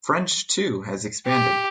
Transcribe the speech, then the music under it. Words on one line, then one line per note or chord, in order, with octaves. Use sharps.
French too has expanded.
G4